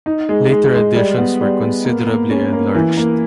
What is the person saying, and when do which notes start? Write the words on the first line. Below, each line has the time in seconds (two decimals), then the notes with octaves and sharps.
Later editions were considerably enlarged.
0.06 D#4
0.29 G#3
0.51 G#3
0.74 G#3
0.95 G3
1.18 B3
1.41 G3
1.63 B3
1.85 A#3
2.07 A#3
2.30 C#4
2.53 A#3
2.74 E3
2.97 A#3